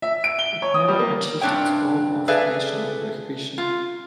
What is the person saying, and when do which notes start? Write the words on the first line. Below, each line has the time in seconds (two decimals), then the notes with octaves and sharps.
It never achieved its goal of national prohibition.
0.02 E5
0.24 D7
0.39 G7
0.62 C#5
0.74 D#6
0.88 G3
0.99 A#3
1.41 G2 C3 D4 C#5 G5
2.28 G#4 A4 B4 D5 E5 F5
3.58 F4